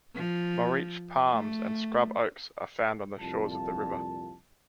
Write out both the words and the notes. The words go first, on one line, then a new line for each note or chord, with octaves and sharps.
Moriche palms and scrub oaks are found on the shores of the river.
F3
A3
C2 F2 A#2 F4 A5